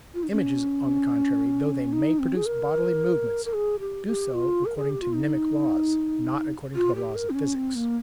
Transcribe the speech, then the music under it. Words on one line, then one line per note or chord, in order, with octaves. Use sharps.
Images, on the contrary, though they MAY produce bodily movements, do so according to mnemic laws, not according to the laws of physics.
F4
D#4
C#4
D#4
C4
G#4
A#4
A#4
G#4
G4
G4
F4
A#4
G#4
G4
F4
D#4
F4
G4
A#4
C4
C#4
C4
A#3